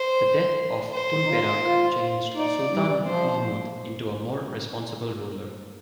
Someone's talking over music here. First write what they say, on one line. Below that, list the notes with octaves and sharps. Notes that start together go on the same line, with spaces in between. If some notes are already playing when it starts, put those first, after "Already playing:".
The death of Tun Perak changed Sultan Mahmud into a more responsible ruler.
Already playing: C5
C5
D#4
F4
F4
D#4 D5
G3
F3 C5